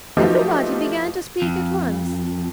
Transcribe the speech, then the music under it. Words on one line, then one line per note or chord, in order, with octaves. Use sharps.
Everybody began to speak at once.
F3 F#3 A3 B3 D#4 G4
F2